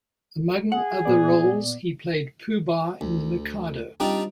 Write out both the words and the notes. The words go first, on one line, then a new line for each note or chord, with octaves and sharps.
Among other roles, he played Pooh-Bah in "The Mikado".
G#4 F#5
A#2 B3 D5
D2
G3 C4 D4 D#4 F4